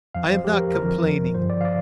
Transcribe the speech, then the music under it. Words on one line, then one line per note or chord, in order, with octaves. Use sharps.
I am not complaining.
F2 F3 F5
C5
G4
A#4
F2 D3 F3 A#4
G2 D3 F3 C5
D5
F5
D5